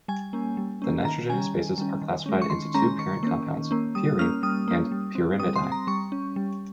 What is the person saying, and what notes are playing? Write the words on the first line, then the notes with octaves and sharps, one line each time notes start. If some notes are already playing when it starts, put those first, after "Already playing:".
The nitrogenous bases are classified into two parent compounds, purine and pyrimidine.
G3 G#5
A#3 C#4
G3
A#3 C#4
D#3 A#5
G3 C#4 G#5
D#3
G3 C#4
D#3
G#3 C#4
C#6
D#3 C6
G#3 C#4 A#5
D#3 C#6
A#3 C#4
D#3
A#3 C#4
G3 D#6
A#3 C#4 F6
G3 D#6
A#3 C#4
G3
C4
G3 D#6
C6
C4
A#5
G3 C#6
C#4
G3